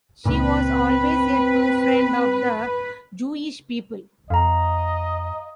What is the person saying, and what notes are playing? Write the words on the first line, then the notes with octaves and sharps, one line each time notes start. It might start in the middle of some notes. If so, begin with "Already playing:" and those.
She was always a true friend of the Jewish people.
C#2 A#2 C4 B4
F2 D#5 F5 A#5